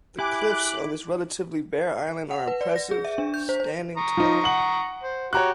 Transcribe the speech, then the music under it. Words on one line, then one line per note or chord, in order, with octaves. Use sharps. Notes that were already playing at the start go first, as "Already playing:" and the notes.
The cliffs on this relatively bare island are impressive, standing tall.
E4 G4 G#5 D6 F#6
F#5
B4
D5
A#6
G#4
E5
D4
G6
C5
C5
A#5 C#6 D#6
F3 D#4
F#5 F#7
C5
F#4 G4 C#5 A#5 F#6